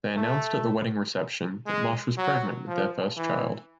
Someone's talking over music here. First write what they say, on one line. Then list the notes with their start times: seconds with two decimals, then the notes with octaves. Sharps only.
They announced at the wedding reception that Marsh was pregnant with their first child.
0.16 A3
1.67 G#3
2.17 F#3
2.67 F3
3.17 E3